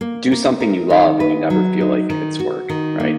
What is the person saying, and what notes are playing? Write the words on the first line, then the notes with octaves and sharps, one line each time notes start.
do something you love and you never feel, like, it's work, right?
A#3
A#3
A#4
D#3
B4
F#3
D#4
D#3
F#4
D#3
A#3